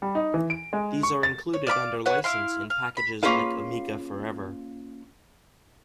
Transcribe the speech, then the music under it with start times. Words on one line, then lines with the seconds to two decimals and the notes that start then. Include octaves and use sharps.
These are included under license in packages like Amiga Forever.
0.02 G3
0.15 D#4
0.34 E3
0.50 D7
0.73 G#3
1.03 C#6
1.23 A6
1.53 C#5
1.67 D5 F5 B5 D6
2.06 B4 C#5 F#5
2.24 E4 F5 C6
2.70 F5
2.97 B5
3.23 A#3 C#4 F4 G#4 B4 F5